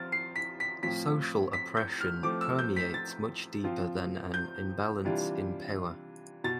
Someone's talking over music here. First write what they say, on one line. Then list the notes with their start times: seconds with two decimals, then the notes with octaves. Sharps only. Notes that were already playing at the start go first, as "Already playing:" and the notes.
Social oppression permeates much deeper than an imbalance in power.
Already playing: F3 C4 F4 F6 A6
0.12 C7
0.36 B6
0.60 B6
0.83 A2 F3 C4 F4 B6
1.53 B6
1.77 G6
2.01 F6
2.23 F3 A3 C4 D6
2.41 E6
2.59 G6
2.76 B6
2.94 A6
3.64 F3 C4 F4
4.34 G6
5.04 C3 E3 G3 D4 F4
6.44 B2 A6